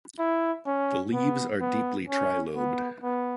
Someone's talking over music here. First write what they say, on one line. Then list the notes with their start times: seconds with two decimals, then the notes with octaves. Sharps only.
The leaves are deeply trilobed.
0.19 E4
0.66 C#4
1.13 B3
1.61 B3
2.09 C#4
2.56 B3
3.03 B3